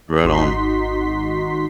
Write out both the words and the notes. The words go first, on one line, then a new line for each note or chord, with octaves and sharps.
Right on.
G#1 D#4 F#4 C6 B6